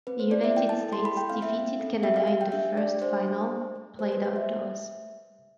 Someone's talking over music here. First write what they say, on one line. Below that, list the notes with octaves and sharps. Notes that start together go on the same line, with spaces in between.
The United States defeated Canada in the first final, played outdoors.
C4 B4
C5
E4 D5
E5
E4 G5
A5
A4
C6
E4 B5
G5
C4 F5
E5
C4
A4
G4 E5
F5
G4 F5
G5
D4 E5
G4 D5
D4 C5
A3
A3
A3
G4 C5
B4
G4 C5
E5
A3